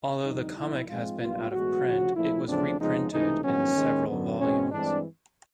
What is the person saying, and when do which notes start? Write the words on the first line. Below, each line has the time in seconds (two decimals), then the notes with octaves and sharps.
Although the comic has been out of print, it was reprinted in several volumes.
0.23 F2 D3 G3 D#4
0.56 B1 A#2 F3 E4
0.88 G#2 F3 G#3 C4 F4
1.20 B1 A#2 G3 B3 F4
1.52 B1 A2 E3 G#3 B3 F#4
1.84 D2 C#3 F3
2.16 A#1 A#2 F3 A3 E4
2.47 E2 C#3 F3 A3 C4 D4
2.79 F2 C#3 F3 G#3 B3 D#4
3.11 C#2 C3 E3 A3 D#4
3.43 A#1 G#2 D#3 F#3 B3 C#4
3.75 D#2 D#3 G#3
4.07 F#2 D3 F#3 B3
4.40 E2 B2 G#3 C4 C#4
4.72 G2 E3 G#3 C4 D4